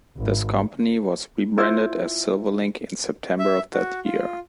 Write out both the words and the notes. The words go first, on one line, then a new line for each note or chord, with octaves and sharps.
This company was re-branded as Silverlink in September of that year.
G#1
E4 F4 C5
E5
F#4
F4